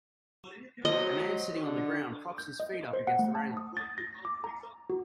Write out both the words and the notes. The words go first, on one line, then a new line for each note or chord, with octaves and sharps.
A man sitting on the ground props his feet up against the railing.
F#3 C5 D#5
D3
G6
D#5
C5
F#5
A3
A5
D#6
A6
A#6
D6
A#5
F#4